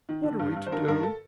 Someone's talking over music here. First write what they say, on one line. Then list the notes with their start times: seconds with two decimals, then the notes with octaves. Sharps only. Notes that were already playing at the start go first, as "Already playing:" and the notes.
"What are we to do?"
0.09 D#3
0.23 D3
0.39 G2
0.56 G2
0.66 C5
0.72 D3 A#4
0.88 G2 A#4
1.03 A4